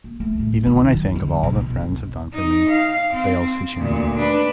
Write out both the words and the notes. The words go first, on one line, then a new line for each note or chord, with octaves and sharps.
Even when I think of all that friends have done for me, it fails to cheer me.
A#3
A3
A2
D#3
F#3
D3
B2
B1
B3
D#4
F5
C4
D2 A#2
D4 B4